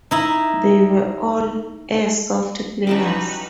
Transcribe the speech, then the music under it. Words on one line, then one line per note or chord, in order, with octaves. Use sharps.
They were all airsoft players.
D#4 E4
G3 C#4 D#4 E4 F#4 B4 A5 D6